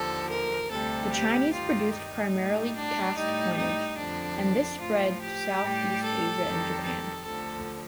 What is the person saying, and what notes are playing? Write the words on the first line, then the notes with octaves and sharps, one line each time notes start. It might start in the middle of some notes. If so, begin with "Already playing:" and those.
The Chinese produced primarily cast coinage, and this spread to South-East Asia and Japan.
Already playing: D#2 D3 F3 A4
A#4
D2 C3 G3 A4
G4
G2 D#3 G3 F4
D#4
A2 G3
D4
A2 G3 D#4
D#4
F2 D3 F3 D4
A2 F3 F4
G4
A2 G3
A4
F2 D#3 G3
A4
D2 D3 F3 A4